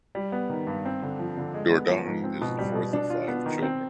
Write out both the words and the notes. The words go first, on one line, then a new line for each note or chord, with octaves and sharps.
Dourdan is the fourth of five children.
G3
B3
D#3
G2
C4
D3
F3
D3
G#3
B3
F3
G#2
C4
B2
G3
B2
D4
F4
B3
D#3
C4